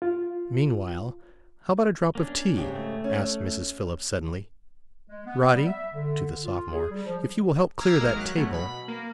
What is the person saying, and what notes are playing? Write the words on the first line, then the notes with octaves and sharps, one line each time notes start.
"Meanwhile, how about a drop of tea?" asked Mrs. Phillips suddenly. "Roddy"--to the sophomore--"if you will help clear that table...."
F4
A#3 C#4 D4
G#2 C#3 G4
A3
C#4
G#3
B3
G3
E5
D3
F4
G#4
G3
F3
A#5 D6 E6 F6 G#6 C7
G#1 G#3 A#3 A#4 F6
F#3 F#6
F#3 A3 B3 C#4
B2 B5
A#3